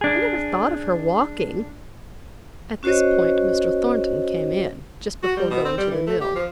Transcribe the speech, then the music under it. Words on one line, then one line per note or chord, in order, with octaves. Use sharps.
I never thought of her walking.' At this point, Mr. Thornton came in, just before going to the mill.
D4 G#4
C#4 F#4 C5 C#5 D#5
F#4
G3
B2
C4
G3
E3
A3
G4
F3